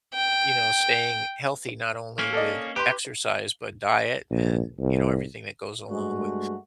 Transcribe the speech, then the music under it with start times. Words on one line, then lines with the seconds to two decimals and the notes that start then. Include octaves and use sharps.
you know, staying healthy not only with exercise, but diet and, you know, everything that goes along with
0.15 G5
2.19 A#3 C#4
2.33 A4 D5 D#5
2.76 G4 B4 C6
4.31 A#1
4.80 C2
5.89 G2 G#3 A3 F#4